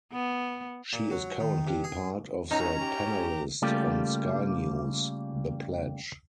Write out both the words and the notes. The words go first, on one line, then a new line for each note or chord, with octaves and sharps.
She is currently part of the panellist on Sky News "The Pledge".
B3
A#2
F#3
D#3
G2
G#4
C#2 C#4 D#4 A#5
G4
C#3 G3 A3 A#3 F4 G4